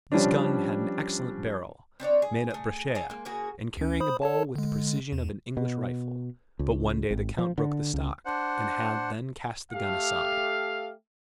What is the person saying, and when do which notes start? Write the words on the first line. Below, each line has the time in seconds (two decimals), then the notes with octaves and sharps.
This gun had an excellent barrel, made at Breschia, and carrying a ball with the precision of an English rifle; but one day the count broke the stock, and had then cast the gun aside.
0.12 F3 G3 C#4 D4
2.00 C4 D4 C#5 D5
2.22 G#4
2.50 A3 G#4
2.95 G#4 A4 C#5
3.10 G#3 A#3
3.25 C#3 A#3 F#4 G#4
3.77 D2 C#4
4.00 C5 B5 D#6
4.22 A4 C#5 A5
4.55 D3 G#3
5.12 E2
5.57 B2
6.59 C#2
7.10 G#1
7.38 F3
7.58 D3
7.94 C#2
8.25 D4 C5 F#5
9.72 A3 G4 F5